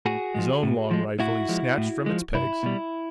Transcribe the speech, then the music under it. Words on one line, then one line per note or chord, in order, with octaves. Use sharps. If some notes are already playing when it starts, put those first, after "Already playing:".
His own long rifle he snatched from its pegs.
A2 F#4 G#4
F3 G#3
A2
F3 G#3
A2 E4 F#4
F3 G#3
A2
F3 G#3
C2 E4
B2 G3